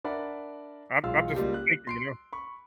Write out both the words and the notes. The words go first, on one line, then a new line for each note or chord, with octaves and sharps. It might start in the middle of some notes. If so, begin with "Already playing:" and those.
I'm I'm just thinking, you know?
D4 A#4 D5 E5 F#5 B5
B1 G#3 F4 F5 E6
C#2 G3 A#3 F4
F#6
C6 C7 D7
B5 C#6